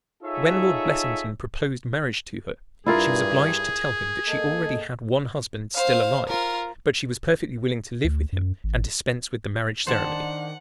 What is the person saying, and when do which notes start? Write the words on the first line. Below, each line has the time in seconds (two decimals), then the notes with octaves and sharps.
When Lord Blessington proposed marriage to her she was obliged to tell him that she already had one husband still alive, but she was perfectly willing to live with him and dispense with the marriage ceremony.
0.23 D#4 F4 G#4 A4 C#5 E5
2.86 G2 E4 F4 G#4 A#4
4.28 A#3 A4 D#5
5.75 C5 F5
6.28 F4 A#4
8.04 D2
8.33 F#2
8.64 G#1
9.87 D#3 D4 C5 F#5 A5